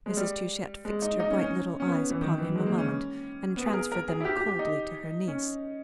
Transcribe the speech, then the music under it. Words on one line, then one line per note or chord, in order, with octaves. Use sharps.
Mrs. Touchett fixed her bright little eyes upon him a moment and transferred them coldly to her niece.
G#3
G3
G#3
D#4
D#4
C#4
C#4
C#4
B3
E3
D#3
E3
G#3
A#3
C#4
B3
G#4
A#4
A#4
G#4
E4
G4
G4
G4
D#4
C#4